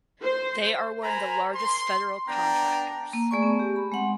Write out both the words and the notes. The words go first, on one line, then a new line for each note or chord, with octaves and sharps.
They are one of the largest federal contractors.
C5
A#4 C5 G#5 A#5 B5
C6
B3 D4 G5 A#5
A#3
A3 G#4 D5 G#5 C#6
B3
G4
B5
G#3 C4 F#5 C6